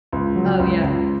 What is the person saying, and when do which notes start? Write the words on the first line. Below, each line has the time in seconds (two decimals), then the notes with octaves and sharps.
Oh, yeah.
0.12 C#2
0.36 F#3
0.60 C#2
0.83 C#2